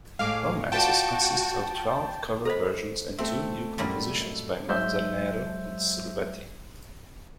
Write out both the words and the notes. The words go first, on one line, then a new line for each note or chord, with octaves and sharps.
"Romances" consists of twelve cover versions and two new compositions by Manzanero and Silvetti.
A2 G#3 F5 D6
F4 F#4 B4 D5 G5 A5
A4 C5 D#5 A#5 B5
A3 C4 E5
F#2 A#2 G3
D#5
F#3 G#3 C5 E5 E6 G6